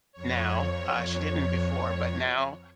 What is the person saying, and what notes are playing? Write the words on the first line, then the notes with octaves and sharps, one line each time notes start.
now- uh, she didn't before- but now,
F2 C#5